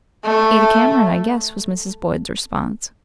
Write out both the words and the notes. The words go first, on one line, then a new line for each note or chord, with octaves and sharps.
"Ada Cameron, I guess," was Mrs. Boyd's response.
A3